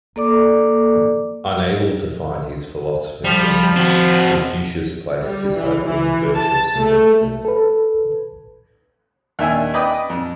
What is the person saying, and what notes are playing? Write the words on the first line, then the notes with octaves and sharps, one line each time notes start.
Unable to find his philosopher king, Confucius placed his hope in virtuous ministers.
A#3 A4 D5 D6
F3 G3
C4 F#4
G3
E3
E3
A5
A3
A4 B4
D#2 D4 E5 G#5
B4 D5 D#5 G5
F2